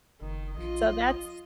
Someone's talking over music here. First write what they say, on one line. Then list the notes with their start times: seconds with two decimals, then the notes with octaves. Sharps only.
so, that's
0.21 F#1 D#3
0.57 A#1 F4 D#5